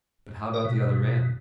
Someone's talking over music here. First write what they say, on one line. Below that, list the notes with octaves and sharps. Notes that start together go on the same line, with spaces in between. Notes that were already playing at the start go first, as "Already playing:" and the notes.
"But how about the other man?"
A#4
B2